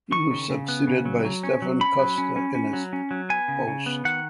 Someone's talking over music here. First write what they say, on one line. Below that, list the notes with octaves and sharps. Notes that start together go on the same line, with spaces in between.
He was succeeded by Stefan Kuster in his post.
D#3 C#6
C#3
C#3
B3
C#3
F#3
F#3
C#4
F#3
C#4 B5
F#3
C#4
C#4
C#4
F#3
C#4
F#3
B3 G#5
C#3
C#3
B3
D#3 F#5